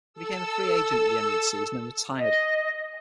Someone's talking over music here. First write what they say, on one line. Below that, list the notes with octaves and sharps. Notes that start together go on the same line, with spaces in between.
He became a free agent at the end of the season and retired.
A4 E6
D#5